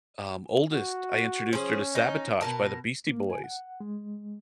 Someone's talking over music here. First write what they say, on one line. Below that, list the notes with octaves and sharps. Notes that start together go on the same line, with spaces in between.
um, oldest, I introduced her to "Sabotage" by the Beastie Boys,
F#4
F3 C#4 G#4
D#4
B2 A#4 A5
A#3
G#5
F#5
G#3